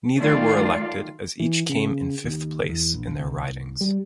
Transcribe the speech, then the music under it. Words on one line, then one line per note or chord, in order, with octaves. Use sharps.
Neither were elected as each came in fifth place in their ridings.
D#3 F#3 A3 F4 D5 F5
E3
C#3
D#2
E2
A#1
C2
G3